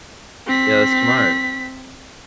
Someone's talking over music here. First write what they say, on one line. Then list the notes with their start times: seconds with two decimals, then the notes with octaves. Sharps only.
Yeah, that's smart.
0.47 C4 B6